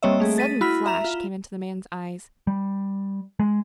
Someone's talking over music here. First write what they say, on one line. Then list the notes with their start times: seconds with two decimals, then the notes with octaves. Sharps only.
A sudden flash came into the man's eyes.
0.03 G3 A#3 C4 C#5 D#5 E5
0.20 A3 G#4
0.38 A6 B6 D#7
0.61 E4 F#4 B5 F6 B6
0.86 E5 A#5 E7 F7
1.04 F4
2.47 G3
3.40 G#3